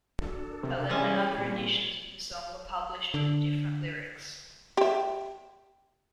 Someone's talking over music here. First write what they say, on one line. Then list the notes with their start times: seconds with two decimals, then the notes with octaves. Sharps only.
Eleven other editions of the song were published with different lyrics.
0.21 D4 F#4 A4
0.50 A#4
0.63 C3
0.89 E3 G3 G#3 C#4 C#5 D5 G#5
1.38 A#2 A#3 C4
3.14 D3
4.77 G4 E5